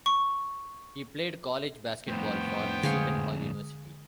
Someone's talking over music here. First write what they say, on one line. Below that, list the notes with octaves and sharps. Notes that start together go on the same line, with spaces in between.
He played college basketball for Seton Hall University.
C#6
F2 A2 B3 C5 G5
D3 G#3 G#4 F5 C#6